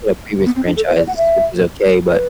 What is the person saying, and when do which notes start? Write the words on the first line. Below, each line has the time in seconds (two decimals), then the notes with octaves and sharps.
you know, previous franchises, which is okay, but,
0.46 B3
0.56 C4
0.67 D4
0.76 A4
0.86 C5
0.97 D5
1.07 F#5
1.17 E5
2.09 B4